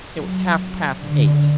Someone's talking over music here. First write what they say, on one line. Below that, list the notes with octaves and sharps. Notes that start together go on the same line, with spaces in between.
It was half-past eight.
F#3
D3